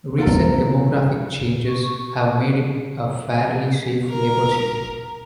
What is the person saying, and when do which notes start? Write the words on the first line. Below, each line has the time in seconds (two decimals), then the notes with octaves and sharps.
Recent demographic changes have made it a fairly safe Labor seat.
0.18 B3 F4 A4 A#4
1.66 C#6
4.10 A#4